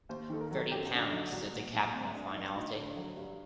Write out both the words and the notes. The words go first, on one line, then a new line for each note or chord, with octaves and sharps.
Thirty pounds, said the captain with finality.
D#2 C5
D#3 A4
A#4
F#3 A4
F#2 G4
D3 F#4
F#3 D#4
C2 F#4
A#2
F#3 D#4
D2 C4
D3 D4
D#4
F#3 D4
D2 D#4
D3
F#3
G2